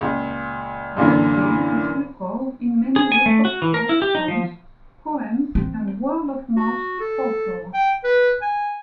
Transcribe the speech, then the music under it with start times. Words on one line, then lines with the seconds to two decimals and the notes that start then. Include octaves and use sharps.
The tale is recalled in many local folk songs, poems and word-of-mouth folklore.
0.01 C#2 A#2
0.97 F#2 A#2 D3 E3 A#3
2.96 G#4
3.12 G#5
3.26 A3
3.45 F#4
3.62 E3
3.74 A#4
3.89 E4
4.02 G4
4.15 D#4
4.28 F3
5.55 C4
6.57 F#4
7.00 A4
7.74 G5
8.04 B4
8.42 G#5